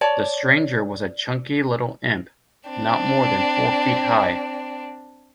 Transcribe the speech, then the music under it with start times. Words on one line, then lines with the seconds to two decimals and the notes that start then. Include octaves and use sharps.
The stranger was a chunky little imp, not more than four feet high.
0.01 C#5 D5 A5
2.69 C4 D4